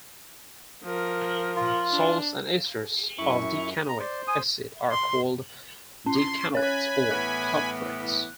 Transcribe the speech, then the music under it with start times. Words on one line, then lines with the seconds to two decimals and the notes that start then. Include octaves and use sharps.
Salts and esters of decanoic acid are called decanoates or "caprates".
0.84 F3 A#4
1.56 F4
1.90 D4
3.19 F#2 E4 C#6
3.88 A#5
4.00 C5 D5
4.28 G#5 D#6
4.91 C6
6.06 C#4 C6
6.55 C#5 G#5 B5 F#6
7.10 A2 E3 B3 F#6